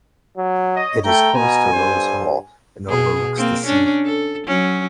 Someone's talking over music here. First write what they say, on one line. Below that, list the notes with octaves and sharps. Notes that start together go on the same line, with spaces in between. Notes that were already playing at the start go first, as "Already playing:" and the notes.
It is close to Rose Hall and overlooks the sea.
F#3
C#5 D#5
A3 G5 A#5
B2 G#5
G2 A4 C5
B2 G#4
A#3 C4
C#4 D4
A4
F#3 C#4